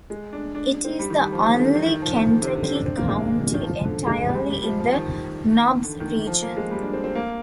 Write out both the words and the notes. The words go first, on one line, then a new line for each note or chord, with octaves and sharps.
It is the only Kentucky county entirely in the Knobs region.
G#3
D4
D4
C4
G3
D#3
G3
F3
D#3
D3
D#3
D#3
D#3
F3
D3
D#3
D3
C3
D3
C4
D4
C4
A#3
G#3
D#3
F3
D3
G#3
G3
G3
G3
F3
F3
D#3
D3
D#3
D3
F3
A#3
G#3
G3
D4
C4
C4
A#3